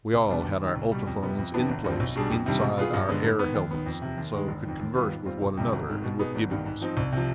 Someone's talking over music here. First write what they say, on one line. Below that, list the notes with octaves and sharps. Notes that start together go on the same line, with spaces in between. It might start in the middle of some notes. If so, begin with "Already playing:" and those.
We all had our ultrophones in place inside our air helmets, and so could converse with one another and with Gibbons.
C2
B2 G3 B3 D4
D#2
D#3 G3
C2
B2 G3
F2
C3 G3 B3
F2
C3 D#3 B3 D4
G#1
G2 F3 C4
B1
B2 G3 D4 G#4
F2
C3 D#3 G3 D4
B2
B3 F4 G#4
G2
D3 G#3 B3
G#2
D#3 B3
D#2
D#3 B3
F2
C3 F3
D#2
D#3 G#3
G1
F2 D#3
D#2
D#3 G3 B3 F4
G#2
G3 C4 F4
F1
F2 C3 G3 D4
G#1
G#2 D#3 G#3
B2
B3 D#4 G#4
G#1
G2 D#3
G#2
F3 C4 D#4
C2
C3 F3